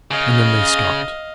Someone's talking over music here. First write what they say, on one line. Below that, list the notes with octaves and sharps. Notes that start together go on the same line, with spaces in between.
And then they stopped.
C#3 D#5 F5